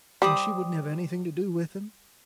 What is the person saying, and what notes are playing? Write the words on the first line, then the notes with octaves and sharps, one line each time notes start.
And she wouldn't have anything to do with him.
G3 C5 D6 D#6